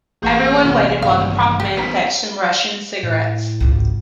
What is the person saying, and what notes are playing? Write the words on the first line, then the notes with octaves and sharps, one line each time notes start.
Everyone waited while the prop man fetched some Russian cigarettes.
A1 A#3 G#4 F#5 C#6 G6
C2 C#4 F6
G2 D#3 F5
G4
B3 C#4 A#5 B6
A2
G#1 C#2